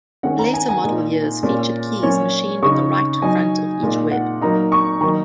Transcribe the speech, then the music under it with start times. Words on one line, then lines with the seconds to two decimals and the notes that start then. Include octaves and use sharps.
Later model years featured keys machined on the right front of each web.
0.23 D#3 G#3 C#4 F#5
0.39 A#5
0.54 G#5
0.69 G#5
0.84 A#2 G#3 D#4
1.43 A#2 G#3 C#4
2.02 F#3 A#3 C#4 C#5
2.63 C#3 G#3 D#4 C#6
3.22 F#3 D#4 G#5
3.83 A#2 G#3 D#4
4.11 F#5
4.41 F#3 A#3 D#4 A#5
4.72 C#6
5.01 D#3 F#3 A#3 D#4 A#5